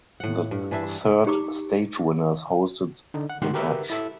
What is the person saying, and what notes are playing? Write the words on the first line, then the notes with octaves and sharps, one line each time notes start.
The third stage winners hosted the match.
A2 F#5
G2
E3 D4 E4 E5
D#4 G4 A#5 D6
D3 D#4
F#5
C#2 G#2 D#3 G4 F#5 C6
F#4 G4 A#4 B4 E5
E4 A4 E5